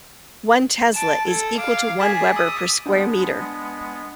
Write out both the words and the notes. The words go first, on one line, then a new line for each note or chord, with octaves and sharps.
One tesla is equal to one weber per square metre.
A5 D7 E7
A4 G#6
F5 D6 D7
G#4 A6 B6 E7
D#6 E6
G#3 B3 D4